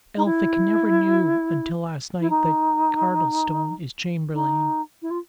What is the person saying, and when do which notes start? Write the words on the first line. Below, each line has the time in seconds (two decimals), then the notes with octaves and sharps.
Elphick never knew until last night that Cardlestone is Chamberlayne.
0.17 D#4
0.25 E4
2.21 E4
2.30 D#4
4.34 D#4
5.02 E4
5.10 F4